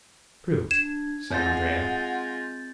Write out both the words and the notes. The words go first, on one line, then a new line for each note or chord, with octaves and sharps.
"True," said Andrea.
D4 G#6 E7
G#3 C4 F4 F#5 G6 A6